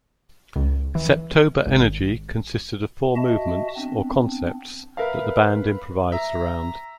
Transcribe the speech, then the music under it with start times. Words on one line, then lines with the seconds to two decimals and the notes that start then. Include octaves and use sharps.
"Septober Energy" consisted of four movements, or "concepts" that the band improvised around.
0.56 C#2
0.95 E3
1.66 G#1
3.16 F#4 D#5 E5 A5
3.76 B3 C4 D4
4.97 A#4 B4 E5 F5
6.12 E5 A#5